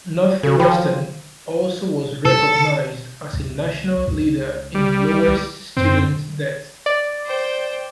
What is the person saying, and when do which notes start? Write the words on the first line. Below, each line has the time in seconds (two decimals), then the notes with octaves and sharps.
Northwestern also was recognized as a national leader in lowest student debt.
0.43 C#3 F#4 A4
0.60 D#3 F3 G5 B5
2.25 C3 A4 E6
3.33 C#2
4.08 C#2
4.75 G3
5.77 F#2 C4
6.86 D5
7.26 C5 G5